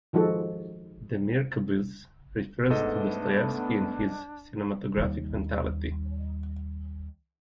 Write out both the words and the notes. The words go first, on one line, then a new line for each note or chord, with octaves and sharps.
Demirkubuz, refers to Dostoevsky in his cinematographic mentality.
D#3 F3 G#3 F#4 A4
G#2 A3 B3 D4 A4 D#5
D#2 G3